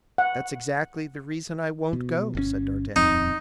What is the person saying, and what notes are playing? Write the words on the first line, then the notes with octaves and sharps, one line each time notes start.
"That's exactly the reason I won't go," said d'Artagnan.
F#5
B2
G1 D3 C#4
D#1 F2 C4 D#4